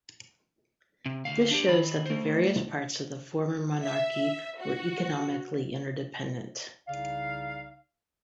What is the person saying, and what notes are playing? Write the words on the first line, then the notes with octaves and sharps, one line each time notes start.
This shows that the various parts of the former monarchy were economically interdependent.
C3
D2 F5
D4 G4
D#3 B5
A3 C5
E5
F#4
C2 C#3 D#4 D5 F5